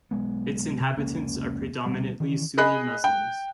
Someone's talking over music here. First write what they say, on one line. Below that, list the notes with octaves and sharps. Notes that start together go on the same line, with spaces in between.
Its inhabitants are predominantly Sunni Muslims.
B1 G#3 B3
C3
F1 C#2 A#3 C#4
D2 B2 G3
D#3 E3 C#4
G#4 D#5 B5 F#6
G5